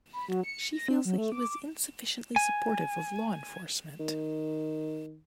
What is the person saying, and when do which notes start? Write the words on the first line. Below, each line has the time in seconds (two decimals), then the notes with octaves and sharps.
She feels that he was insufficiently supportive of law enforcement.
0.13 B5
0.28 F#3
0.44 C#7
0.73 A#6
0.88 C4
1.05 F#3
1.18 A3
1.32 D6
1.49 D6
2.36 G#5
4.00 D#3